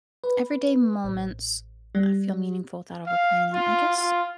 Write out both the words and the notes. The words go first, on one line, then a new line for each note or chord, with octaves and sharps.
everyday moments I feel meaningful without overplaying. I guess
B4
A1
G3
F5
F4
F4